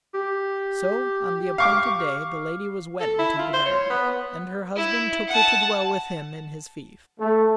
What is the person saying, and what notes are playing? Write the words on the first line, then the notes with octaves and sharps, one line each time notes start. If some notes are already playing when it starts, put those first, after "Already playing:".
So on the appointed day the lady was wedded to the baron, and her husband took her to dwell with him in his fief.
G4
F5 C#6 D6
A4
E4
F4
C5
C#5
B3
E4
F#5 A5
A3